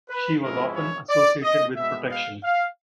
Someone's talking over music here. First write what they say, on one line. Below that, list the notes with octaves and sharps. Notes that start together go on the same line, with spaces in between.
She was often associated with protection.
B4
G#2 F3 G#3 C#4 E4 A#4
C#5
D5
D#5
B2 G#3 B3 E5
F5
F5